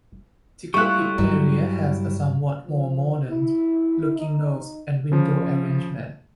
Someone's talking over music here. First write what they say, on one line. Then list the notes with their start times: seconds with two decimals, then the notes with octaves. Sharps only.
The cockpit area has a somewhat more "modern" looking nose and window arrangement.
0.74 G3 A3 E4 F4 C#6 F#6
1.18 G2 F#3
2.66 F3
3.30 E4
4.18 D#4
5.12 C#3 F3